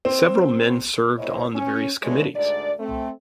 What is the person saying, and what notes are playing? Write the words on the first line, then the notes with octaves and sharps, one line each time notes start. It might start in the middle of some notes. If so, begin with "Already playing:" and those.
Several men served on the various committees.
C4
G2 A#2 E4 C5 C#5 D#5
C#4
D#2 G#3 A3 D4 B4 C#5
D2 G#2 D4 D5
A3 C4